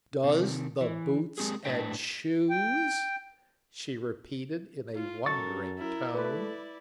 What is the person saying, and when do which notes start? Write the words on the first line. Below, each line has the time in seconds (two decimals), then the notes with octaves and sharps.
'Does the boots and shoes!' she repeated in a wondering tone.
0.24 C3 D#3
0.81 E3
1.38 G#3 C4 G4 G#4
1.65 A2 D4 B4 C5 G5
2.50 G5
4.95 F4
5.26 F#2 A4 A#4 C#6 A6
5.78 E4 A#4
6.14 A3 E4 B4 D5